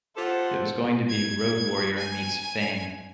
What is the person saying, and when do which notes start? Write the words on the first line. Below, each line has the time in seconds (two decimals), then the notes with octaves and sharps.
It was going to be Road Warrior meets "Fame".
0.17 F4 G4 A4 C5 F#5
1.09 G#6
1.96 G#5